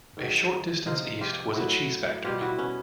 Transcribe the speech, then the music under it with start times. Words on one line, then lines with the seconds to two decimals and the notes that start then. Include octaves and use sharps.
A short distance east was a cheese factory.
0.17 G#2 D#3 F#3
0.86 C3 F3 D#4 F4
1.21 F4 G4
1.55 A2 F#3 E4 F#4
2.24 B2 G3 F4 G4
2.41 E4 F#4
2.58 B3 C#4